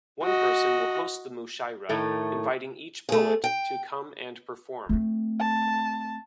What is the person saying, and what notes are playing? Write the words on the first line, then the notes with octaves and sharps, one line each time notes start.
One person will host the mushaira, inviting each poet to come and perform.
F#4 D#5
A2 D#3 A3
A3 G#4
G5
A3 C4
A5